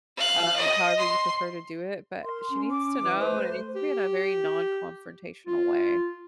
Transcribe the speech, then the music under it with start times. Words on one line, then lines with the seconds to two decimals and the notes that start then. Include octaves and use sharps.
um, however you prefer to do it, but she needs to know, and it needs to be in a very non-confrontational way.
0.17 F5 F#6
0.56 D#5
0.98 C6
2.24 A#4 C6
2.50 C#4
2.71 D6
3.02 E3
3.20 A3 B4 C5
3.75 G4
5.47 F4